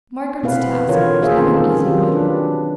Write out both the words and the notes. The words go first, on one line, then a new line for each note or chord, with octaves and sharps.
Margaret's task was not an easy one.
B2 B3 C4 E4 B4 F5
D3 E3 F4 A#4 C#5
A#3 F4 G#4 C5 E5
D#3 C4 C#4 D#4 A4
D#3 F#3 G3 C4 F4
D4 B4